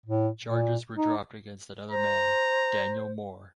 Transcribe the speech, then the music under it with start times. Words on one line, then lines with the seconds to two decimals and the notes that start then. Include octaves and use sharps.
Charges were dropped against another man, Daniel Moore.
0.06 A2
0.44 A#2
0.95 D#4
1.91 C5 A#5